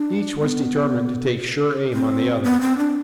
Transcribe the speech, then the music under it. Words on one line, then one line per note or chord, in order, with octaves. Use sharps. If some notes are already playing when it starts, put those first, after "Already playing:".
Each was determined to take sure aim on the other.
Already playing: D4
B3
C4
B3
C4
D4